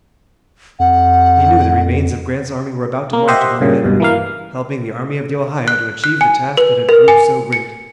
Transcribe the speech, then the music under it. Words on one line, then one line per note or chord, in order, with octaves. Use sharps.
He knew the remains of Grant's army were about to march upon the enemy, helping the Army of the Ohio to achieve the task that had proved so great.
F2 F#5
A#3
G4 C5 D#5 E5 F#5
G2 A#2 C#3
C#2 G2 B2
E3 A#3 F5
F#6
F#6
G#5
B4
A#4
G#5
C#7